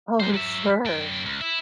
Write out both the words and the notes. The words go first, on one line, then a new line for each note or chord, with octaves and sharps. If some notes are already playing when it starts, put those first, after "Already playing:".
Oh, I'm sure.
G#3 C5
F#3 E5
F#2 G5
C#2
E4